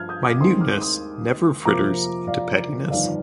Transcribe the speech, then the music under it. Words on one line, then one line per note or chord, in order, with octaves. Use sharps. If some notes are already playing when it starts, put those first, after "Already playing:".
Minuteness never fritters into pettiness.
Already playing: G2 F3 F6 G#6
D#6 G6
D6 F6
D#2 D#3 G#3 C4 C6 D#6
D6 F6
C6 D#6
F2 C3 F3 A#3 A#5 D6
D5 F5
G1 F2 D#3 D5 F5